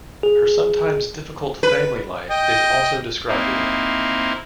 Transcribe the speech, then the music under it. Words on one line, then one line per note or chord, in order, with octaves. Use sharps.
Her sometimes difficult family life is also described well.
G#4
B4
D#5 G5
A#3 C4 D#4 E4